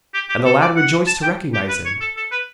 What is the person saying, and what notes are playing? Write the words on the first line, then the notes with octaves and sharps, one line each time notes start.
And the lad rejoiced to recognise him.
G4
G4
A4
D5
F#5
A5
G5
G4
B4
C#5
A4
A4
B4